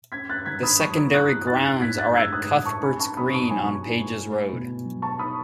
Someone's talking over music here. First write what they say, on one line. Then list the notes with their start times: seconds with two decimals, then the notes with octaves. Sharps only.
The secondary grounds are at Cuthberts Green on Pages Road.
0.12 C#4 G#6 B6
0.29 F#6 A6
0.46 D#3 G#6 B6
0.63 B5 D#6
0.79 F#3 A5 C#6
0.97 B5 D#6
1.13 E4 D#6 F#6
1.47 D#4 F#6 A6
1.64 F#6 A6
1.81 A2 G#6 B6
1.98 F#6 A6
2.15 G#3 E6 G#6
2.33 D#6 F#6
2.49 A2
2.65 A5 C#6
2.83 C#4 G#5 B5
3.00 A5 C#6
3.17 B2 B5 D#6
3.34 A5 C#6
3.50 F#3 G#5 B5
3.85 E4
4.18 A3
4.52 B2
4.85 F#3
5.02 A5 C#6
5.19 D#4 B5 D#6